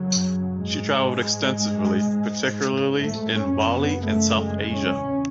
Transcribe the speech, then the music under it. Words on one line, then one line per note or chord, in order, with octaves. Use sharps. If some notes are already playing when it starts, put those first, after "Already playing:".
She traveled extensively, particularly in Bali and South Asia.
Already playing: F#2 C#3 F#3
G#2 G#3
G#2
A3
F#2 C#3 C#4
B3
A3
G#3
E2 C#4
C#3